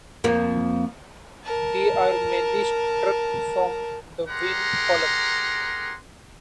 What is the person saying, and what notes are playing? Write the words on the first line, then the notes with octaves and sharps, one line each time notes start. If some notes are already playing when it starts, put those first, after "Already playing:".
They are merely struck from the win column.
F2 F3 A#3
A#4 A5
G4 G#4 A#4 F#5 A#5 C6